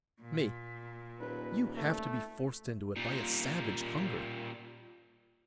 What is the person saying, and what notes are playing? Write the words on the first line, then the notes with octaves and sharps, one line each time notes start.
ME: You have to be forced into it by a savage hunger.
A#2
D#1 B4
A3
A#2 G3